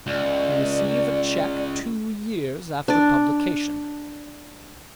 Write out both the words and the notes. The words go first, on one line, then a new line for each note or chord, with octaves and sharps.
You receive a cheque two years after publication.
C#2 D5
D4 D5